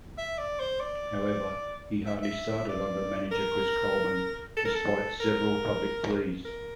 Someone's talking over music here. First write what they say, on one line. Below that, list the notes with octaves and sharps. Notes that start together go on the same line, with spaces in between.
However, he hardly started under manager Chris Coleman, despite several public pleas.
E5
D5
C5
D5
E5
E5
D5
A#4
A4
A#4
A4
A#4
A#4